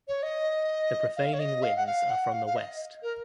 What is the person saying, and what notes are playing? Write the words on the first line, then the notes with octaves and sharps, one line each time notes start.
The prevailing winds are from the west.
C#5
D#5
F5
C#5
D#5
F5
F#5
F5
F#5
F5
F5
D#5
A#4